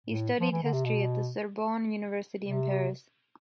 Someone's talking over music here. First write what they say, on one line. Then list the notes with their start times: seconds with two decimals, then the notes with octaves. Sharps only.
He studied history at the Sorbonne university in Paris.
0.06 A2
0.40 F3
0.51 E3
0.63 D3
0.73 C3
0.85 B2
2.42 C3